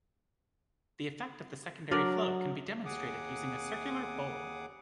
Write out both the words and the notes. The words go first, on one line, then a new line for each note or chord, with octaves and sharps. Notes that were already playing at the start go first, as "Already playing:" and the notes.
The effect of the secondary flow can be demonstrated using a circular bowl.
F#3 D4 A#4 D5
D#2 G#4 F#5 D6 D#6